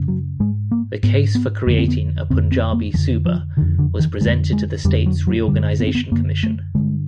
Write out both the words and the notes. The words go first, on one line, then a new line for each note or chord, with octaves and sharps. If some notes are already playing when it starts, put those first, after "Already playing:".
The case for creating a Punjabi Suba was presented to the States Reorganisation Commission.
Already playing: F#2 C#3
F#3
G#2 G#3
A#3
G#2 B3
B3
F2 D3 A#3
C4
B3
F2 D3 C4
C4
A#3
F2 D3 F3
F3
F2 D3 D#3
D3
D#3
D3 G#3
F2
G#3
F2 D3 G3
F#3
F#3
F#2 D3 G3
B3
C4
B3
F#2 D3 A#3
A3
G2 D3 G#3